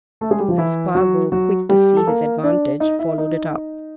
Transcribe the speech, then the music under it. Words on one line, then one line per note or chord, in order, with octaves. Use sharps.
And Spargo, quick to see his advantage, followed it up.
A3 A4
G#3 G#4
G3 G4
F3 F4
E3 E4
F#3 F#4
F#3 F#4
G3 G4
A4
A#3 A#4
D4 D5
D#4 D#5
E4 E5
D#4 D#5